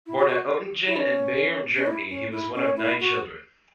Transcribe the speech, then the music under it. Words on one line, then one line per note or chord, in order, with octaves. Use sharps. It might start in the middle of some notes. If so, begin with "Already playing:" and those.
Born at Oettingen in Bayern, Germany, he was one of nine children.
E4
F#4
F#4
E4
C#4
C#4
E4
C#4
E4
C#4
E4
F#4